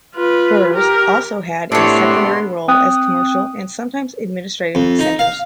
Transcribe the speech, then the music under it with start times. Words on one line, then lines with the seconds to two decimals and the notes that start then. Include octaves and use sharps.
Burhs also had a secondary role as commercial and sometimes administrative centres.
0.15 F4 B4
0.73 G4 A#4
1.72 A2 C3 A3 B3 D4 C#5 C6
2.68 C4 G5 D#6 F#6
4.75 F2
4.99 D#4
5.19 F5